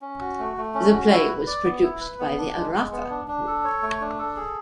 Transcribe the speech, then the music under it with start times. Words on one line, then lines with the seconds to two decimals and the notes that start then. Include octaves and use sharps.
The play was produced by The Araca Group.
0.02 C#4
0.21 F#4
0.39 A3
0.57 A3
0.74 C#4
0.93 F#4
1.11 E4
1.28 B4
1.47 D5
1.65 B3
1.83 E4
2.01 B4
2.19 B3
2.38 D4
2.55 G#3
2.74 G#3
2.92 B3
3.10 D4
3.28 D4
3.47 A4
3.65 C#5
3.82 A3
4.01 D4
4.19 A4
4.36 G#4